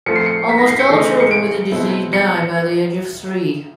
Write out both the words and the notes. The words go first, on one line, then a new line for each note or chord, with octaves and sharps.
Almost all children with the disease die by the age of three.
F3 A3 C4 C#7
C7
C#7
B6
A#6
C7
C#7
C#3 E3 A3 C4 D#4
C#7
D7
B2 G#3 C4 E4
C#7